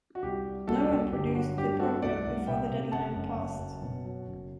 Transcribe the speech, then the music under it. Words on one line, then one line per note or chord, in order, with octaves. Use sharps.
No one produced the program before the deadline passed.
F#4
C2 G4
G3
C2 F#4 A4
C2
G1 G4
F#3 F#4
G2 G4
A3 F#4 A4
C2 D5 F#5
C2
C3 E5 G5
C3
F#1 F#5 A5
F#2
F#1
F#2
B2
F#3
F#1